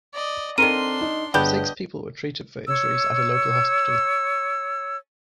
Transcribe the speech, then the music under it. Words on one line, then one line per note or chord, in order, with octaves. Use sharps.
Six people were treated for injuries at a local hospital.
D5 D#5
D#3 C4 D4 F4 A4 A#4 C6 D#7
D#4
G1 B3 D4 G4 G#4 D#5 G6
C#5 E6